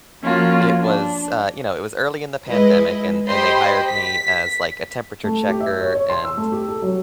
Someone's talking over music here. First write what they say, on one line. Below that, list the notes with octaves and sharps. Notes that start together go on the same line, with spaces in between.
it was, uh, you know, it was early in the pandemic, and and they hired me as, like, a temperature checker and,
F3 A#3 C#4 F4 F#4
D4
G#3 E4 B4 D#5
G4 C5 D#5 G5 B5 C6
B6
A3
G4
E5
C#5
C#5
C6
E6
A3
G4
A4
F#3